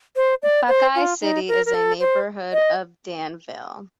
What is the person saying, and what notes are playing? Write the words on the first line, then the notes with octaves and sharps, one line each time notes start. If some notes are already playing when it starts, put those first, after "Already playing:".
Buckeye City is a neighborhood of Danville.
C5
D5
C5
F4
D#4
A#4
A#4
A4
C5
D#5